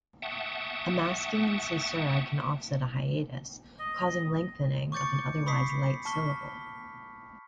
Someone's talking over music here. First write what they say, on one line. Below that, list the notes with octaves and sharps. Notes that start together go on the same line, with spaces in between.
A masculine caesura can offset a hiatus, causing lengthening of an otherwise light syllable.
E5 F#5 G5 A5 C#6 D#6
D#5
C#6 D6 G6 A6 C#7
B5 C#6 D#6 B6 C7
A5 C#6 F6 B6 G7